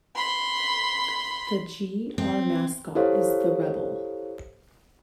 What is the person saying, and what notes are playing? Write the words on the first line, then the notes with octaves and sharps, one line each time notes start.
The G-R mascot is the Rebel.
B5 C6
C4
E4 G4 A4 C5 C#5 F5